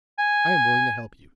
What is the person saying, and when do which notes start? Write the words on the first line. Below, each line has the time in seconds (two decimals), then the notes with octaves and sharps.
I am willing to help you.
0.18 G#5